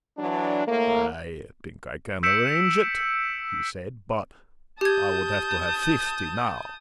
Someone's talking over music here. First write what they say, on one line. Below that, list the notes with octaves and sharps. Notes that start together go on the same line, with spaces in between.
"I think I can arrange it," he said, "but I would have to have fifty now."
E3 F#3 D4
A2 A3 A#3
E6 G6 B6 C#7 D7 E7
G4 A5 D#6 G6 G#6